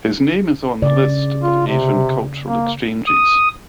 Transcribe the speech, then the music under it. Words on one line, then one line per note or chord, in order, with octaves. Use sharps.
His name is on the list of Asian cultural exchanges.
C#3 D5
F4
C3
A#3
D#6